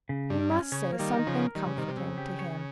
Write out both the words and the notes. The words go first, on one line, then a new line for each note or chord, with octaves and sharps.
You must say something comforting to him.
C#3
G2 G3
C#4
C#3 C#5
A#3
D#3 G3
D#4
D#3
C#3 F3
A#4
D#3 G3
C#3
C3 D#3 G3
C3
C#3 C4
G4
C#5